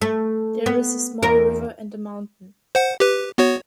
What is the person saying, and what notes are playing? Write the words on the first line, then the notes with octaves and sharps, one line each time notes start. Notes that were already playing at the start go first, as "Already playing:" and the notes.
There is a small river and a mountain.
A3
B3
E2 A#4
C5 F#5
G4 B4
B3 F#4 C#5